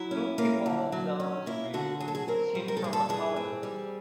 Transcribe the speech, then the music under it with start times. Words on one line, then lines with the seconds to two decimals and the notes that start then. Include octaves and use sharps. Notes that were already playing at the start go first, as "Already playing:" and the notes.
Two people walk down the street, seen from a alleyway.
Already playing: F#3 E4
0.11 C#4
0.38 A#3
0.66 D3
0.92 F#3
1.20 C#4
1.46 A#3 E4
1.74 D3 F#4
2.00 F#3 G#4
2.08 A4
2.15 G#4
2.28 C4 A#4
2.55 G3
2.68 A#4
2.77 A4
2.82 G2 G#4
2.93 A4
3.09 E3 G#4
3.36 C4
3.63 G3